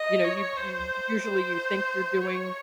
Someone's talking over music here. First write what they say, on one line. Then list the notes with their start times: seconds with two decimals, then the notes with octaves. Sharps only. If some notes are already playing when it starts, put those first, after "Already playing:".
you know, you you usually, you think you're doing,
Already playing: D#5
0.24 C#5
0.57 C5
1.23 C5
2.21 C#5